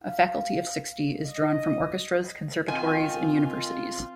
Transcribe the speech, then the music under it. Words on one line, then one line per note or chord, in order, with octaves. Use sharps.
A faculty of sixty is drawn from orchestras, conservatories, and universities.
F5
D#5
D#3 C4 F4 G#5